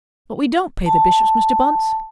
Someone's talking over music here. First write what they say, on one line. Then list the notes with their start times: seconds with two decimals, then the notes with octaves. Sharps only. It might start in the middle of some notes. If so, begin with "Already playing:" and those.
"But we don't pay the bishops, Mr. Bunce."
0.86 A5